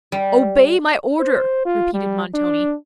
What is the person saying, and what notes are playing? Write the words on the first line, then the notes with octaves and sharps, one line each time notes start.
'Obey my order,' repeated Montoni.
G3
C5
F4
G3
D4